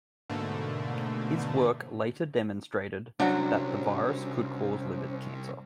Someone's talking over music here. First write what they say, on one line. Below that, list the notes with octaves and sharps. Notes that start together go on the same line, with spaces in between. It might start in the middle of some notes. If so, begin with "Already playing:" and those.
His work later demonstrated that the virus could cause liver cancer.
G#2 B2 D3 A3 A#3
C2 F#3 C#4 D4 F#4 C5